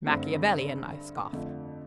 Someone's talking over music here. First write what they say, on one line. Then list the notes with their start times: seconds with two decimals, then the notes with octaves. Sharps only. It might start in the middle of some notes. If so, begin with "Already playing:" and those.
"Machiavellian!" I scoffed.
0.06 G2 D3 A3 C4
1.33 F2 D3 F3 A3